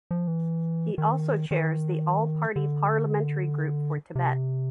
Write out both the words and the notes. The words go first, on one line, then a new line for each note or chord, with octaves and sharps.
He also chairs the All-Party Parliamentary Group for Tibet.
F3
E3
D#3
D#3
D3
C3